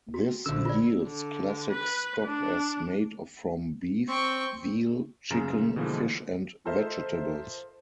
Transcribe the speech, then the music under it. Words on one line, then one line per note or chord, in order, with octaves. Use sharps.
This yields classic stock as made from beef, veal, chicken, fish and vegetables.
F#4
A#1 D3 E6
F4 D5
D3
B4
D4
C4 G5 C#6
F#2 C#3 A#5 E7
B2 D3 E3 F3 G#3 A#3
F4 A4 A#4 C5 D#5 E5